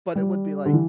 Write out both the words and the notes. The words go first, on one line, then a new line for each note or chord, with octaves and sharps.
but it would be like
G3
D3
E3